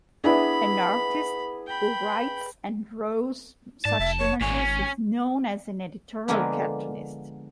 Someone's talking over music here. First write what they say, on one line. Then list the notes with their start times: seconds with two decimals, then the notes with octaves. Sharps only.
An artist who writes and draws such images is known as an editorial cartoonist.
0.24 B3 D4 E4 G#4 B5
1.67 G5 B5
3.85 G#2 D5 A5
4.00 F1 E5
4.19 C#5
4.41 G#1 A#2 C#5 G#5
4.59 C#4
6.28 D3 F3 G#3 A#3 B3 D4